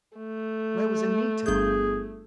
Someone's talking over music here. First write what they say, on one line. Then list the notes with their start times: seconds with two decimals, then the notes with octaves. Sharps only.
Where was Anita?
0.17 A3
1.46 G1 G#4 G6